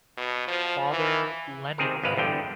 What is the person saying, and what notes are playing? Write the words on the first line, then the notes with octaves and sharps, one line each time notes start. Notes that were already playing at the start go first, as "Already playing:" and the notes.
Father Lenihan.
B2
F3
E3
C3 D#3 C4 G#4 A#4
G#1 G#3 B4 F5
E2 G2 D3 G5